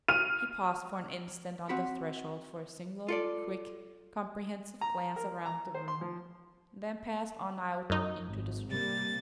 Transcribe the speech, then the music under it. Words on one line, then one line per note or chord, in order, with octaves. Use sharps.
He paused for an instant on the threshold for a single, quick, comprehensive glance around the room--then passed on out into the street.
F6 D#7
C4 F#4 B5
F4 A4 D5
A#5
A#4
A#5
C5
C6
F3
F#2 D#4
G#1
C3 G3 A#3 A6